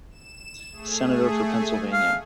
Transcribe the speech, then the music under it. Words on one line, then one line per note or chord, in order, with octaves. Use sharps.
Senator for Pennsylvania.
E7
A3 G#4
F5